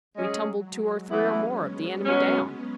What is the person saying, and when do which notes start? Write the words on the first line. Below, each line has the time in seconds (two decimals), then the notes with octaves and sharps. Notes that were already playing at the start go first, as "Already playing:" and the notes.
We tumbled two or three, or more, of the enemy down.
0.16 F#3 G#3 C#4 G#4
0.63 G#3
1.11 E3 B3 C#4 E4
1.58 B3
2.06 B2 F#3 C#4